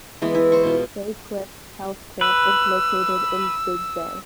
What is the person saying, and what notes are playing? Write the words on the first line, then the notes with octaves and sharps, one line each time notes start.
Bay Cliff Health Camp is located in Big Bay.
E3 G#3 B3
E4
C5 C#6
B2 F4
B4 E6